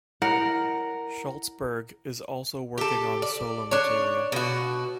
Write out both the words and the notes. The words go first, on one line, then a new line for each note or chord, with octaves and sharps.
Schultzberg is also working on solo material.
E4 A#4 C#5 D#5 F#5
G4 A4
D5
D4 C#5
B2 F#4